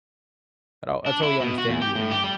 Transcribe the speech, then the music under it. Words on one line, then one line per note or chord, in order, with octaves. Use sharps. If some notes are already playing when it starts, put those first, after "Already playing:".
Oh, I totally understand you, and
D4
E4
B2
F#4
E2
G4
A2
G4
G3